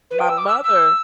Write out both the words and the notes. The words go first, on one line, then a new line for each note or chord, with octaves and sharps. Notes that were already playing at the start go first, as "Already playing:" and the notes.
My mother,
B4
G5
E6
D6
E6
E6